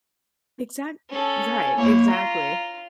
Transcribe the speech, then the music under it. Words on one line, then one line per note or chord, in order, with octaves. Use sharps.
Exact right, exactly.
C#4 A4
G#5
A#3 E4 C#5
F4 A#5